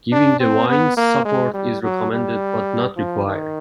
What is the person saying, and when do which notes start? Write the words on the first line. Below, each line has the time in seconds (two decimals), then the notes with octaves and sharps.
Giving the vines support is recommended, but not required.
0.12 D4
0.40 C4
0.69 B3
0.97 A#3
1.25 G#3
1.54 G3
1.83 F#3
2.12 G3
2.96 F3
3.25 D#3